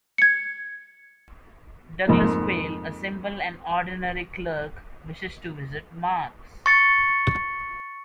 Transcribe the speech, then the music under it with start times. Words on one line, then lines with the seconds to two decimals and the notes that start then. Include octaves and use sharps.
Douglas Quail, a simple and ordinary clerk, wishes to visit Mars.
0.18 G#6 C#7
2.08 F2 G#2 A#3
6.66 C#6 A6 C#7